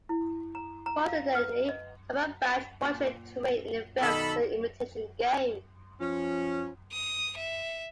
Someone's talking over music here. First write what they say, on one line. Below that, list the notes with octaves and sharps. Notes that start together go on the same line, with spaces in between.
Coincidentally, Cumberbatch portrayed Turing in the film The Imitation Game.
E4
A#5
A#5
F5
B4
D#5
A#2
B2 D#3 D#4 A4 B5
F3 C#4
D#6
E5